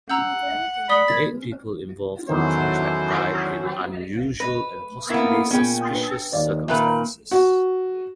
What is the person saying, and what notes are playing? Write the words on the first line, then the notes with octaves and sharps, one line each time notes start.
Eight people involved in the contract died in unusual and possibly suspicious circumstances.
F#5 A#5 E6 G6
D5 B5 D#6 G7
G#6 A6
E2 D#3 F#3 C#4 E4 A4 C5
B4 D#5 A#6
A#3 B3 E4
A#2 B3 C#4 G#4 G5 B5
D4 B4
D#2 C#5 D5 F5
A#2 D#3 A#3 B4 E5 F#6
F#4